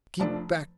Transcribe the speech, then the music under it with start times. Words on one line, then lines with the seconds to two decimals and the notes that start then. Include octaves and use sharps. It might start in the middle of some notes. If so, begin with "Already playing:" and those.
'Keep back!
0.20 F1 F2 F3 A3 D4